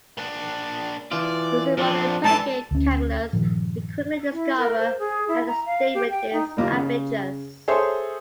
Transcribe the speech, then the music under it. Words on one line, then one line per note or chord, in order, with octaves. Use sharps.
Using modern predicate calculus, we quickly discover that the statement is ambiguous.
A#2 D4
E3 F4 D5
A#2 F3 C4 D4 A4
G#2 E3 D4 A4 A5
D2 C#4
G2 A#2 D#3 F3
E4
A#4
C5
G#4
E4
A#5
F5
G4
G5
D#4
F#1 A#3 F4 G4
C#3
G#4 A4 C5 C#5 E5 C6